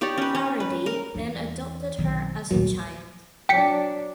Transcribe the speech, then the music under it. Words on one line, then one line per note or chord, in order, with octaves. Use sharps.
Faridi then adopted her as a child.
D#4 G4 C#5 D5
C#4 B4
C#4
B4
A#4
E2 D4
B1 D#3
D1 A#1 D#2 D#3 F#3
F#3 D4 G5 B6 C#7